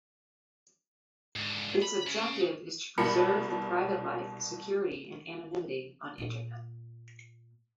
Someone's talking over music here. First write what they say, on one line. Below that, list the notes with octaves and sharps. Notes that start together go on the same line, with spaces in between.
Its objective is to preserve the private life, security and anonymity on Internet.
G#2 D3
B5
C#3
C2 B2 A#4 B5 C#7
A#2 A#3